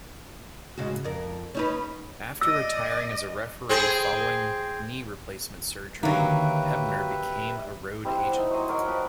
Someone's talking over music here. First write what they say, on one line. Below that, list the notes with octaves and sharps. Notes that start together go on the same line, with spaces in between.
After retiring as a referee following knee replacement surgery, Hebner became a road agent.
G#2 C#3 F#4
F2 A#4
C#4 D#4 B4
D5 D#5 E6
C4 G#4 C5
D3 D#3 F#3 A#3 G4 B4 E5
G3 C4 E4 E5
F#5
D#4 E4
F#3 C5 D#5
F#3 A#4 D#5 F#5
F3 B4 D5 B5